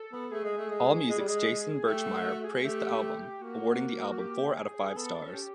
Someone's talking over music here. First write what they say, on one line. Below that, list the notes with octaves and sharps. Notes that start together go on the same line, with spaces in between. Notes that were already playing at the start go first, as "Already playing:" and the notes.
AllMusic's Jason Birchmeier praised the album, awarding the album four out of five stars.
Already playing: A4
B3
A3 G#4
G#3
A3
G#3
G#3
G3
G#3
A3 G4
F#4
F#4
G#4
A3 G4
A#3 F#4
F#4
G4
G#4
B3 A4
C#4
G4